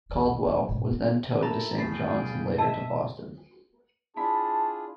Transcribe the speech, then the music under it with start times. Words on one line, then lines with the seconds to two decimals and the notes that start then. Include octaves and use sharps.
"Caldwell" was then towed to Saint John's and later to Boston.
0.10 B1 E2
0.46 F#3
0.69 G#2 B2
0.91 C4
1.42 E4 A4 A#4 A5 A#5
1.78 C2 A2 G#4 F5 G5 B5 A6 C7
2.20 B2 G3
2.58 D#5 E5 A5
4.16 D4 E4 F4 G#4 A5 B5